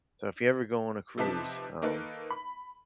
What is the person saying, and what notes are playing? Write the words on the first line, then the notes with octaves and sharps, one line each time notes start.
So, if you ever go on a cruise, um,
C3 F3 D#4 B4 A5 B6
D#3 A#3 D#4 A4 B4
B5